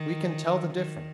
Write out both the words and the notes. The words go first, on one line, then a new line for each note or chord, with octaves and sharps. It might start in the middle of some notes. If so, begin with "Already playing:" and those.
We can tell the difference.
Already playing: D#3
D#3